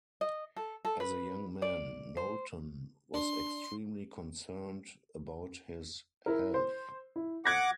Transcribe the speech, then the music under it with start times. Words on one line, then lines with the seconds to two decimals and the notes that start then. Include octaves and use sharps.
As a young man, Knowlton was extremely concerned about his health.
0.21 D#5
0.56 A4
0.85 A4
1.00 B4
1.62 D5
2.17 C5
3.14 D4 C6
6.26 E4 A#4
6.54 C5
7.16 E4
7.45 F#5 D6 F#6 G#6 A#6